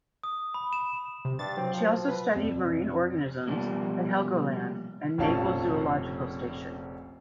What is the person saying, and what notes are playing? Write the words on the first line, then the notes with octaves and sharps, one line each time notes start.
She also studied marine organisms at Helgoland and Naples Zoological Station.
D#6
B5
E7
C3
G2 A6
F#3 C4
F3
B4
F2 D5
B2 F3 G3 A#3
F1 A#1 C#4 F5 A5 C#6